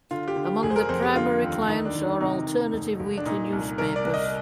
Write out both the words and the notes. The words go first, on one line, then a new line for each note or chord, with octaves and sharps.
Among the primary clients are alternative weekly newspapers.
D3 F4
G4
D3
G4
F1 G#4
C5
A#4
F2 C5
G4
D3 F4
D#2
D#3 D#4
D4
D#3
D4
C3 D#4
D#3
F1
F1
D4
A#2 D#4
C2
C2 A#4
D5
C2
D#5